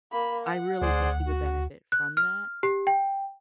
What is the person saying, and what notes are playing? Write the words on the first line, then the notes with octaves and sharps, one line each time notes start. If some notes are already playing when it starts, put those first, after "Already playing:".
I really think he would benefit from that.
A#3 B5
F#5
D2 G#4 C5 D5
F#4
F#6
F6
G4
G5